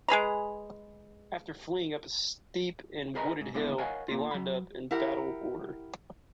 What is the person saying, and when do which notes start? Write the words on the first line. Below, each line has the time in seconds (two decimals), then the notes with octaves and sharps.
After fleeing up a steep and wooded hill, they lined up in battle order.
0.08 G#3 G#4 B4 A#5
3.15 G#4 A#4 B4 D#5 G#5 A#5
3.41 G#2
3.54 A#2 D3 G#3 B3 E4
3.78 A#4 C#5 D#5 F5 F#5 G#5
4.08 A#3 F4
4.31 F#3 B5
4.91 E4 G4 A#4 F#5